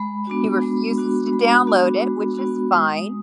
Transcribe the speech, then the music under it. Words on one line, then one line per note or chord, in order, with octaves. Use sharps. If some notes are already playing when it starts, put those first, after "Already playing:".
He refuses to download it, which is fine,
Already playing: G#3 B5
B3 D4 F#4
G#3
B3 D4 F#4
G#3 B5
B3 D4 F#4
G#3
B3 D4 F#4
G#3 D#6